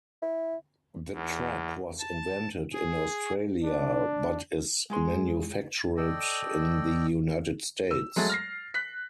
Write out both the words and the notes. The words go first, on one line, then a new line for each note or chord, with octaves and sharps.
The trap was invented in Australia, but is manufactured in the United States.
E4
E2
A5
G#4
D4
G#3 G#4 C6
A4 D5 D#5 G5
E6
F#3 G#3 A3 A6
F6 A#6 C7
F#6 B6